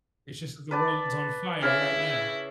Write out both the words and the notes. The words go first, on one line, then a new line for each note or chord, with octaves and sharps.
It's just that the world's on fire right now.
B4 D5 A5
C#3 E4 F5 G#5